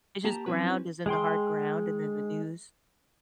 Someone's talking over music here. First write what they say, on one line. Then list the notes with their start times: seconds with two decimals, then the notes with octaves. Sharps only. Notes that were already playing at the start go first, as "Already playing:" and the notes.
It's just ground as in the hard ground and then the news?
0.24 A#3 G4 A5 A#5
0.46 F#3 C4 C#4 E4 F#4 B4
1.06 G#3 G#4 G5 C6